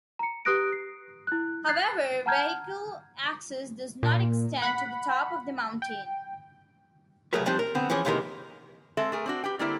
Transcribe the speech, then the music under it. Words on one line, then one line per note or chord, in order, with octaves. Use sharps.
However vehicle access does not extend to the top of the mountain.
A#5 C#7
G4 B4 D#6 F#6 A#6 D7
C7
E4 F#6
F#6 G#6 A6 C7
F#5 A5 A#5 F6 G6 G#6
A#2
F#5 B5
G5
C2 F#3 A3 G#4 A#4 B4
F3 G3 C4 D4 D#4
A#4
D3 B3 C4
E3 F3 C#4 G#4
D#2 C3 D#3 E3 G#3 A#4
G#3 C4 A4 E5
A3 G#4 A#4
C4 D4 F#4
G4 B4 G5
D3 G3 A#3 C4 E4 D5